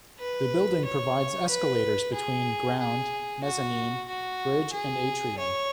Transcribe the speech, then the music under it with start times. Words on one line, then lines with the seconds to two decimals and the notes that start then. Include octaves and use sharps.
The building provides escalators between Ground, Mezzanine, Bridge, and Atrium.
0.19 B4
0.84 C#5
1.49 B4
2.14 G#4
2.79 G#4
3.43 F#4
4.08 F#4
4.72 G#4
5.38 C#5